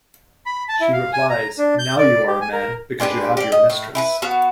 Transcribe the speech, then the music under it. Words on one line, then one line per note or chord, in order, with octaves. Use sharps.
She replies, Now you are a man because you have your mistress...
B5
A5
E4
F5
G#5
A#5
D4
G6
D5
G4
G#5
A#4
G#3 D4 G4 B4
G4 D5
D#5
A2
E4 G#4 B4
B3 F#4 F5